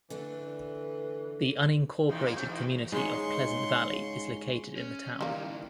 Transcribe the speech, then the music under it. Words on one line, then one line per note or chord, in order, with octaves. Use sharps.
The unincorporated community of Pleasant Valley is located in the town.
D3 E3 A3 D4
A#2 D#3 E3
G#3 A#3
C3 A3 F#4
D#3 E3
G#2 C#3 G#3 C6 C#6
C#4
D#3 E3 G3 A#3 E4